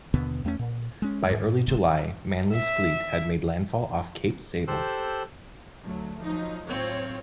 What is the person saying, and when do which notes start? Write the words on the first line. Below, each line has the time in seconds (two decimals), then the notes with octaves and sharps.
By early July, Manley's fleet had made landfall off Cape Sable.
0.14 D#2 B2 D3 B3
0.45 E2 A3 C4 C#4
0.59 A#2
1.02 G#3 C#4
1.31 G#2
1.68 D1 G1 G#2 C3
2.52 E5
4.68 G4 A4 C5 C6 E6 F#6
5.83 D2 F#3 A3
6.23 F3 F#3 D#4
6.66 A2 F#3 C4 F4 C#5